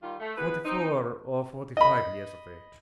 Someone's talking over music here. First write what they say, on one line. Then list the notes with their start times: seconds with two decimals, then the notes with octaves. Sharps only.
"Forty-four or forty-five years of age."
0.03 D#3 G3 F4
0.20 A3
0.36 E2 B3 B4
0.65 C4 D#4
1.77 D#5 B5